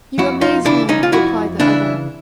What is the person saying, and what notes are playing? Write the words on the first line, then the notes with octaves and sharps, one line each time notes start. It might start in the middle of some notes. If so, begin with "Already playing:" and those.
"You amaze me!" replied the other.
F2 E4 F#4
D#4 F4
C#3 E3 D4 E4
C#4 D#4
F4
F2 E4 F#4
C#3 E3 D4 E4